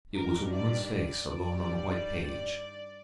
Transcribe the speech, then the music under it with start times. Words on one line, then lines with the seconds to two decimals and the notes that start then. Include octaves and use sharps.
It was a woman's face, alone on the white page.
0.14 G2 D#3 G3 A#4
0.49 D5
0.84 D5
1.54 G2 D#3 G3